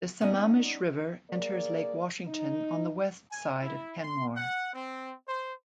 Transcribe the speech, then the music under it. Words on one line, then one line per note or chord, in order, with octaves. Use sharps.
The Sammamish River enters Lake Washington on the west side of Kenmore.
G3 B3 C#4 D#4 D5 D#5
A#3 G#4 A#4 D5
D#4
G#5
E4
C6
F#5
C4
C5